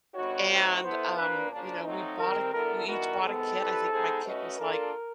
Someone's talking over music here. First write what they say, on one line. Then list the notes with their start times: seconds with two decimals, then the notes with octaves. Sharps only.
and, um, you know, we bought a ki we each bought a kit. I think my kit was like
0.14 D3 G3 B3 D#4 F#4 C#5
0.49 A3 C4 D#4 F#4
0.83 B3 E4 A4 C5
1.17 A#2 F3 A#3 D4 B4
1.51 C#3 F3 A#3 D4
1.85 F#3 A3 C4 D#4
2.19 D#3 G3 C4 A#4
2.53 D3 G3 B3 E4 A4 A#4
2.87 E3 G3 B3 D#4 F#4 A#4
3.22 C3 D#3 G#3 B3 A4
3.56 G3 C4 E4 G4 B4
3.89 G#3 B3 D#4 G#4 C5
4.24 A3 C#4 F#4 B4 D#5
4.58 A#3 D4 F4 A4 A#4